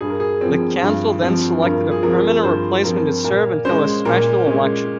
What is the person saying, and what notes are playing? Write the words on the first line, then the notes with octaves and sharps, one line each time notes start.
The council then selected a permanent replacement to serve until a special election.
G2 G#4
A#4
G#4
F3 C4
G2
F3 C4
G2 A#4
G#4
F3 C4 A#4
G2 C5
F3 C4 A#4
A#2 A#4
G#3 C#4 C5
A#2 A#4
G#3 C#4